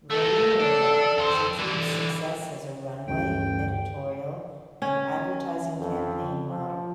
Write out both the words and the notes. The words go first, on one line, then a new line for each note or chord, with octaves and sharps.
Vodianova has achieved success as a runway, editorial, and advertising campaign model.
A3 A#3 A4
D4
F2 C5
D3 E3
A1 D2 G2 G5
C#4
F2
F3